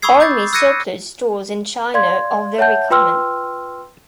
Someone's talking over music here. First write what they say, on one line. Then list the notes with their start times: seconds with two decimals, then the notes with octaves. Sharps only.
Army surplus stores in China are very common.
0.02 B5 C#6 D#6 E6 G#6 C7
0.20 D6 G6 A6
0.53 E6 F#6 G#6 A#6 C#7 D#7
1.94 D5 F5 C6 G#6
2.58 C#5 E5 F#5 A5 G6
2.90 F4 B4 G5 C6 E6 F6